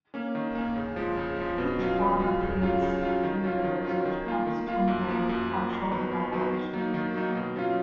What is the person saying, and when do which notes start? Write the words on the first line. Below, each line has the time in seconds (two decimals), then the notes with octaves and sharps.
Each Brahma creates a universe which comes to an end with partial annihilation.
0.14 A#3 C#4
0.35 D#3
0.55 A#3 C#4
0.76 C#3
0.96 F3 G#3
1.17 C#3
1.38 F3 G#3
1.58 B2
1.79 F#3 C#4 F4
2.00 B2
2.20 F#3 C#4 F4
2.41 C#3
2.62 F#3 C#4 F4
2.82 C#3
3.02 F#3 C#4 F4
3.23 D#3
3.44 F#3 C#4 F4
3.64 D#3
3.85 F#3 C#4 F4
4.06 D#3
4.26 A#3 F4
4.47 D#3
4.67 A#3 F4
4.88 F#2
5.08 F3 A#3
5.29 F#2
5.50 F3 A#3
5.71 F2
5.91 D#3 F#3 B3
6.11 F2
6.32 D#3 F#3 B3
6.53 D#3
6.74 F#3 A#3 D#4
6.94 D#3
7.14 F#3 A#3 D#4
7.35 B2
7.56 F#3 C#4 F4